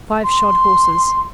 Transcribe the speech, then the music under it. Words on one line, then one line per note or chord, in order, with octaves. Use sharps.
Five shod horses.
C6